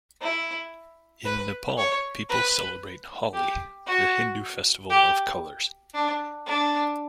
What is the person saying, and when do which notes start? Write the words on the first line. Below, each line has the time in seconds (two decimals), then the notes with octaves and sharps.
In Nepal, people celebrate Holi, the Hindu festival of colours.
0.22 E4
1.25 B4
1.77 C#5
2.29 B4
3.33 G4
3.86 F#4
4.90 G4
5.94 D4
6.46 D4